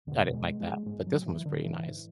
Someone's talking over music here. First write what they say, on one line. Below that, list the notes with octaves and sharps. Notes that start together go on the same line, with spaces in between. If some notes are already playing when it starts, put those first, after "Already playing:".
I didn't like that. But this one was pretty nice.
E2 B2 D3
G#3
G#3
G#2 G#3
F#3
E3
D3
G#2 E3